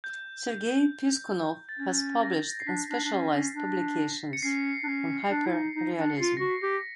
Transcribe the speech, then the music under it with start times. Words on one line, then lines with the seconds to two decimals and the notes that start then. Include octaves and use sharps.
Sergey Piskunov has published in specialized publications on hyperrealism.
0.04 G6
1.69 A6
1.79 C#4 G#6
2.23 A#6
2.60 C7
2.67 D4 B6
2.90 D4
3.04 D4
3.12 C#4
3.33 C#4
3.55 D4
4.33 C#7
4.43 C#4 C7
4.83 D4
4.87 C#4
5.31 D4
5.46 E4
5.53 D#4
5.75 D#4
5.97 D4
6.10 C#7
6.18 F4 C7
6.37 F#4 A#6
6.49 B6
6.62 G4 C7